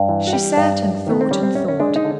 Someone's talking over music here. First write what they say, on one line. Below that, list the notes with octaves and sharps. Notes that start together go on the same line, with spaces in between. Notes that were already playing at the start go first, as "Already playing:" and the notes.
She sat, and thought, and thought.
Already playing: G2
E3
F#4
G3 G4
G2
F#2
D#3 B3
C4
G3 C#4
C4
F#2 C#4
C#4
G#3 D4
D#4
D3